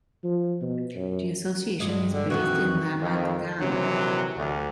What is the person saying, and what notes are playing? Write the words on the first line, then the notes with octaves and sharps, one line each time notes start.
The association is based in Ramat Gan.
F3
B2
F#2
G2 G#3
D3
F2 D#3 E3 F#4
F2 D#3
A#1 D#2 C3 E3 F#3
D2